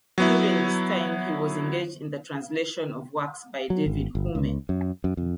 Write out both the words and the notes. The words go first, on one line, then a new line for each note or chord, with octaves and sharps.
During this time he was engaged in the translation of works by David Hume.
F#3 B3 E4
F#3
G#1
G1
C#2
F#2
F#2
F2